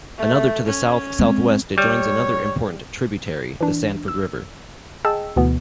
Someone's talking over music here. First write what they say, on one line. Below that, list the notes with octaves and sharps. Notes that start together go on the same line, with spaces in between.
Another to the south-southwest it joins another important tributary, the Sanford River.
A3
C#4
G#3 C4
G3 C#5
E3 D4
E6
G#4 D#5 G5 A5 E6
D2 B2 E3 B3